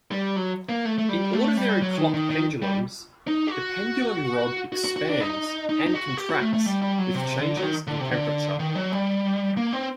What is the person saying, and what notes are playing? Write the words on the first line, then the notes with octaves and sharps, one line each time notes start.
In ordinary clock pendulums, the pendulum rod expands and contracts with changes in temperature.
G3
F#3
A#3
A3
A3
G3
A3
G3
F#3
D#3
D#3
D#3
G3
D#4
G4
F#4
F#4
F#4
F#4
D4
D#4
D#4
D#4
F#4
G4
F#4
A3
A3
G3
G3
F#3
C3
D3
F#3
D#3
D3
C3
D3
D#3
F#3
G3
A#3
C4